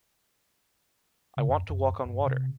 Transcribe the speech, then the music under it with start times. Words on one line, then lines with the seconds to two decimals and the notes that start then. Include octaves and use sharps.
I want to walk on water!
1.37 C#3
1.48 F#2
1.70 F#2
2.05 G2
2.26 C3